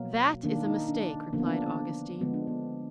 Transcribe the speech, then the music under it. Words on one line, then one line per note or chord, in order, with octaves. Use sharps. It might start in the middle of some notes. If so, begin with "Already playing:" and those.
"That is a mistake," replied Augustine.
Already playing: B2 F#3 A#3
D#3 A#3 D4
D#4
D4
D3 F3 A#3 D4
B3
D4
D3 F3 G#3 B3
D4
B3